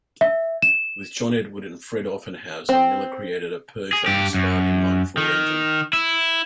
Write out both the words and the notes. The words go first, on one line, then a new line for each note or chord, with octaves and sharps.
With John Edward and Fred Offenhauser, Miller created a Peugeot-inspired inline-four engine.
E5
E7
C4
G#4
G2 G4
F#2
D#3
E4